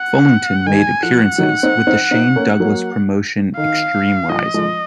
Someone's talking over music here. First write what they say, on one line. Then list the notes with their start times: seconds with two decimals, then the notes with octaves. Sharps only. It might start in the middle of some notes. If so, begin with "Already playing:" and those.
Fullington made appearances with the Shane Douglas promotion Extreme Rising.
Already playing: F#5
0.66 D#3 G#5
1.03 F3 F#5
1.38 D#3 F#3
1.63 C4 D#4
1.87 C4 D#4
2.11 C4 D#4
2.36 A#3 C#4
2.60 F#3 A#3
3.57 D#3 F5
4.29 F3 D#5
4.54 F3 G#3